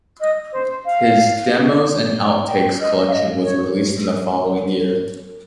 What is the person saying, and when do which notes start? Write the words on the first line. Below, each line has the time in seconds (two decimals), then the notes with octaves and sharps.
His "Demos and Outtakes" collection was released in the following year.
0.20 D#5
0.52 C5
0.85 F5
2.47 G5
2.80 D#5
3.07 F5
3.12 D#5
3.44 C#5